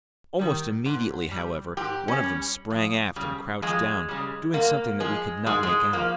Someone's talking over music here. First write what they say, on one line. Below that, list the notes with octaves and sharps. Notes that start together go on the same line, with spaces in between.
Almost immediately, however, one of them sprang aft and crouched down, doing something that we could not make out.
D#3 G3
G#2
G3
G#2 G4
C#4
G3
F2
C#3 G3
F2 G#3
C#3 G3
G#2 A#3
F3 G#3
G#2 G#3
G#3
F3 A#3